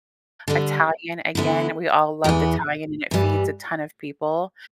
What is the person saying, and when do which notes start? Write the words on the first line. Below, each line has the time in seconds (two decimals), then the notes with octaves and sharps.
Italian again. We all loved Italian, and it feeds a ton of people.
0.48 D3 G3 D4
1.35 D2 D3 B3 E4
2.24 E2 E3 B3
3.11 G2 E3 G3